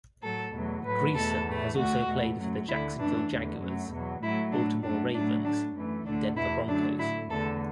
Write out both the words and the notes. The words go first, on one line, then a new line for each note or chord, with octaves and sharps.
Greisen has also played for the Jacksonville Jaguars, Baltimore Ravens and Denver Broncos.
A2 F#3 A3 A4
E2 B2 F#3 A3
A2 F#3 A3 B4
E2 B2 A3 A4
A2 E3 A3
D2 D3 A3 F#4
E2 B2 A3
F#2 F#3 A3
D2 D3 A3 E4
F#2 E3 A3 D4
E2 D3 A3
F#2 F#3 A3
E2 B2 F#3
A2 F#3 A3 E4
A2 A3 D4
F#2 F#3 A3 D4
A2 F#3 A3 D4
A2 A3 D4
F#2 E3 A3
D2 D3 A3 D4
E2 B2 A3 E4
F#2 D3 F#3 A3 D4
A2 A3 E4
E2 D3 A3 A4